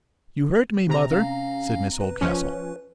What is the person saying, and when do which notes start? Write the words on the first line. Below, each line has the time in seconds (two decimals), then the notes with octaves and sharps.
"You hurt me, mother," said Miss Oldcastle.
0.89 C3 A#5
1.11 C#4 F5
2.01 B4
2.21 F3 C#4